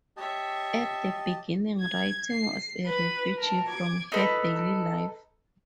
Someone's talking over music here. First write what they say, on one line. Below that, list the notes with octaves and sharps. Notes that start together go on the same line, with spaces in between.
At the beginning writing was a refuge from her daily life.
G4 C#5 D#5 E5 A5
G#6
C7
B4
A#4 A5
D6 G#6
D#4 A4 B4